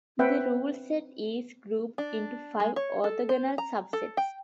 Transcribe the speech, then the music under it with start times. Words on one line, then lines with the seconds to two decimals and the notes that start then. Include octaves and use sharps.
The rule-set is grouped into five orthogonal subsets.
0.19 C4 B4 E5 F#5 G5
1.98 D4
2.60 G#3
2.76 C#5
3.04 A4
3.29 C5
3.58 A#5
3.93 A4
4.17 G5